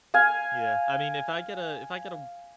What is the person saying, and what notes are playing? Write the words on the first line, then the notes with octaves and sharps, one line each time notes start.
Yeah. I mean, if I get a if I get, uh,
F5 G#5